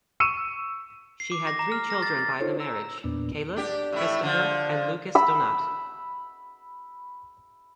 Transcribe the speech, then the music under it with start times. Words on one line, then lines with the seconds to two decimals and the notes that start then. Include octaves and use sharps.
She had three children by the marriage; Caleb, Christopher, and Lucas Donat.
0.20 C#6 E6 C#7 D#7 E7
1.20 C7
1.32 D6
1.47 A#6
1.59 A#5
1.72 F6
1.90 A#6
2.03 A6
2.19 A6
2.40 D#4 F4 A4 C5 C#5
2.60 A#5 E6
3.04 E2 A#2 B3 D4
3.56 D4 G4
3.93 A2 A3 E4
4.23 D3 F3
5.15 B5 E6